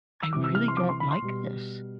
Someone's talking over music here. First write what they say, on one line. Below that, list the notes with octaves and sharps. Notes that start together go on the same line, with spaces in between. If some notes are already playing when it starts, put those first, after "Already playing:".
"I really don't like this,
E6
C3 E3 G3 D6
E6
F6
C6
D6
C6
B5
C6
B2 G3